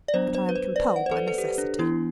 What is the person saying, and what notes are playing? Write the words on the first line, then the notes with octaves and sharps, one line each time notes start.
But I am compelled by necessity.
D5
F#3 B3 D4 C5
C5
B4
C5
D5
F#5
C5
A4
B4
A4
G4
D4
E3 B3 D4 E4